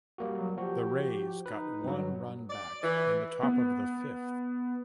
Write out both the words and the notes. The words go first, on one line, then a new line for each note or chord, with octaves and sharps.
The Rays got one run back in the top of the fifth.
G3 A#3 F#4
F#3
F3 F#4 G4
D#4 B4
G2 F#3
D5
E3
B3